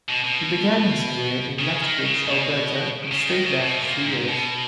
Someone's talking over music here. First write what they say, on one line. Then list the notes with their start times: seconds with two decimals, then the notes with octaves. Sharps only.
He began his career in Lethbridge, Alberta, and stayed there for three years.
0.09 B2
0.25 B2
1.59 C#3
1.83 D#3
2.04 C#3
2.27 B2
3.11 C#3
3.28 D#3
3.44 C#3
3.61 B2
3.83 A#2
4.05 G#2
4.28 B2